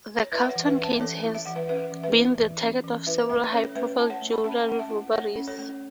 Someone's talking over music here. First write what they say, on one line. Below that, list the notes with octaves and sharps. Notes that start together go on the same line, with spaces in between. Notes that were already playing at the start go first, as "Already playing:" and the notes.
The Carlton Cannes has been the target of several high-profile jewelry robberies.
C#5
E4 B4 E5
E5
C#5 F#5
E3
B4 E5
C#4
E5 A5
E3 A4 C#5
E4
E5
E3 F#5
B4 E5
C#4 B4 E5
E3
B4 E5
E4
E3
C#4
E3
E4 B4 E5
A3 B4 E5
C#4 A4 C#5
A3 B4 E5
E4 A5
C#5 F#5
A3
B5
C#4 E5 A5
A3 F#5
E5 A5
E4
A3 C#5 F#5
C#4
A4 C#5
A3